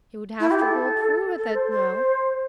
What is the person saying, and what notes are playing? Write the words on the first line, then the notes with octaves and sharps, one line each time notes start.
He would have to go through with it now.
E4
G4
A4
A4
C5
C5